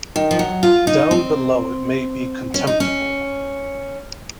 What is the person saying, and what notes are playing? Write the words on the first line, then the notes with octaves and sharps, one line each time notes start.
Down below it may be contemptible.
D#3
F3
F#3
F4
D#4
C4
C#4
D#4
C#4